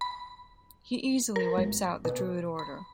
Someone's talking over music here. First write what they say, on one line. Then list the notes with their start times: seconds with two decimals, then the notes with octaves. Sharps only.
He easily wipes out the Druid order.
0.01 B5
1.36 A#4
1.58 G#1
2.05 B2
2.59 B5